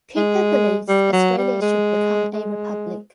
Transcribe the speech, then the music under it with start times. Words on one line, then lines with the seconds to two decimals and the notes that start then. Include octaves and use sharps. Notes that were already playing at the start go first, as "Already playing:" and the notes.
Cooper believes Australia should become a republic.
0.16 G#3
0.88 G3
1.13 F#3
1.38 G3
1.61 G#3
2.34 G#3